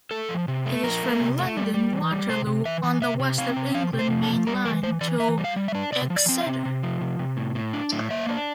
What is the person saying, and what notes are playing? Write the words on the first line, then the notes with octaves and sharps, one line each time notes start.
It is from London Waterloo on the West of England Main Line to Exeter.
A3 A4
F3
C3
A3
F3 A#4
A3
C3
A3
G3
G3
E3
G3
C3 C5
C3
E3 E5
E3
C3 E5
C3
C4 F5
C3
F3 F5
C3
C5
F3
A4
F3
G3 A#4
E3 A#4
E3 C5
E3 D5
E3 E5
G3
F5
G3
E5
D4
C3 D5
F3
D5
C4
E5
C3
C3
F3
C3
C3
A2
A2
D4
A2
A#3 E5
D4